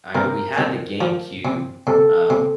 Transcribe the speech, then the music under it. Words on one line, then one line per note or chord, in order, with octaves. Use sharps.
I we had the GameCube, uh
C3 A#4
C3
F3
C3
C3 A4
C3